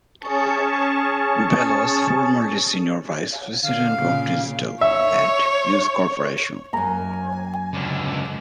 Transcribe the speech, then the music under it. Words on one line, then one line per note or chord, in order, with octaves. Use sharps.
Bell was formerly Senior Vice President of Digital at News Corporation.
C#4 G#4 A5 C#6
D3 F5
A#2 C#3
C#5 E5
F#2 A#3 G#5 A#5
C#2 D3